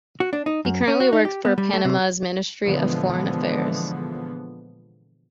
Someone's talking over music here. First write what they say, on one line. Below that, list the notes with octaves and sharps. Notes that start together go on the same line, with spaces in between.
He currently works for Panama's Ministry of Foreign Affairs.
F#4
D4
D#4
F#2
C#4
F#4
D#4
G4
B3
G3
A3
C3
A#2 D3 E3 F3 G#3 B3